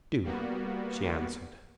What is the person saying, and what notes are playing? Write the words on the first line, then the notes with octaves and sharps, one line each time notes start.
"Do," she answered.
G3 A#3 B3 F#4